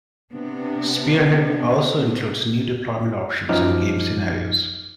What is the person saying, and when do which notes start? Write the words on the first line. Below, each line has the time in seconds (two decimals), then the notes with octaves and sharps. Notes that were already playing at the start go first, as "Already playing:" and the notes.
"Spearhead" also includes new deployment options and game scenarios.
0.32 C3 B3 D4
3.49 F#2 F3 D#4 D6 F6